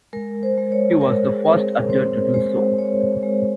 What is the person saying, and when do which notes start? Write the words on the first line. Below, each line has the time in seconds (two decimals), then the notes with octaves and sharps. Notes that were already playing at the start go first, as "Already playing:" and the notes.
He was the first actor to do so.
0.13 G#3 A#4
0.43 C5
0.58 G#3
0.72 C#5
1.01 G#3 A#4
1.23 G#4
1.46 C4 A#4
1.68 A#4
1.90 C4 C5
2.34 G#3 C5
2.78 G#3 C#5
3.23 G#3